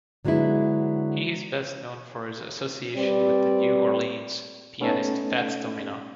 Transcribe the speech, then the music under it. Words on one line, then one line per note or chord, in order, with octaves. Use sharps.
He is best known for his association with the New Orleans pianist Fats Domino.
D3 F#3 G#3 B3 E4
G3 C4 G4 B4 C5 D5
A3 B3 C#4 D#4 A4